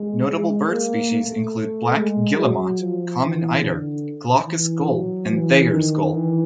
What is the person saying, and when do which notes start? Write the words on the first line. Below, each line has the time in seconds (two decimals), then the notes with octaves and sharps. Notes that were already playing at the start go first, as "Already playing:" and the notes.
Notable bird species include black guillemot, common eider, glaucous gull, and Thayer's gull.
Already playing: G#3
0.29 G#3
0.71 A#3
1.12 A3
1.96 G#3
2.37 F#3
2.79 F3
3.20 E3
3.62 D3
4.45 E3
4.87 F#3
5.29 E3
5.70 D#3
6.12 E3